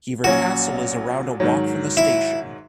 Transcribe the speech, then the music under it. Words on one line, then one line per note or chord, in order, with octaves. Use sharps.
Hever Castle is around a walk from the station.
A#1 A#2 F#3 C#4 F#4
G#2 D#3 F#3
E4